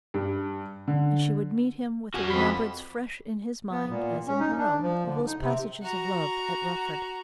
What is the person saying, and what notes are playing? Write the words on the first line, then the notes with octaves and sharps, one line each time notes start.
And she would meet him with the remembrance fresh in his mind as in her own of those passages of love at Rufford.
G2
D3
F#4 G#5
F2 B5
B3
A#2
C#4
D#4
D4
F3
D3
D#4
C3
F#4 A#5